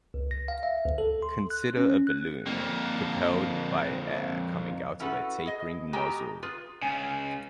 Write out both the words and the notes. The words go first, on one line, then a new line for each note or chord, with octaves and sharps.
Consider a balloon propelled by air coming out of a tapering nozzle.
C#2
A#6
F5
E5
D2
A4
C6
F#6
C#4
F#6
F2 A#3
C#4 E4 F#4 A4 B4
G#4 D#5
B2 G#3 G4 G5 G#5 A#5
F4 G#4 B4
C#2 C#3 G#5